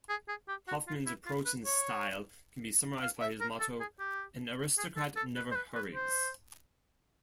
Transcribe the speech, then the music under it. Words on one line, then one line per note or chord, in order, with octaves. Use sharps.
Hofmann's approach and style can be summarized by his motto "an aristocrat never hurries".
G#4
G#4
G4
F#4
F4
E4
F4
B4
C#5
F5
E5
A#4
A4
G#4
G4
G#4
A4
A4
B4
C5
B4
B4
C5